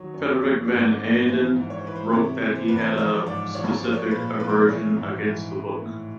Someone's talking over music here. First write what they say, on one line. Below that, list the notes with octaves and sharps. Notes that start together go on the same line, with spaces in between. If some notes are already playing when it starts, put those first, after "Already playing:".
Frederik van Eeden wrote that he had a specific aversion against the book.
Already playing: D#3 F#3 C#5
F#2 C#5
F3 C#5
D5
G#2
D5
F3
C#5
E3 C5
G#2
C#5
C5
E3 B4
C5
C3 C#5
E3
C5
E2 B4
C5
F3 C#5
G#2 D5
F3 C#5
F3 C5
C#5
C5
A#2 B4
F3 B4
A#4
B4
E3 C#5
G#2
E3
E3
A2